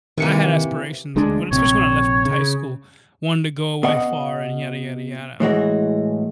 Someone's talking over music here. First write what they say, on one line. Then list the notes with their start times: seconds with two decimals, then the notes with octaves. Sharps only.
I had aspirations when especially when I left high school, wanted to go away far and yada yada yada;
0.18 C3 D#3 E3 A#3 C#7
1.16 D2 G#3 D4
1.51 A#1 C3 C#5
2.25 C#3
3.83 B2 D#5 F#5
5.40 A2 E3 G#3 F#4